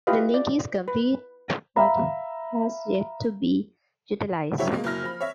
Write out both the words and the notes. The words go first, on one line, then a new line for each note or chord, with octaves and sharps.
The link is complete but has yet to be utilized.
E4 F4 G4 B4 D#5 F5
D5
B4
E5 F5 A#5 B5
E4 F#4 G4 C#5 E5
B2 G#3 A#3
F#1 F#3 E4 F6 A#6
F3 B5
C#5 E5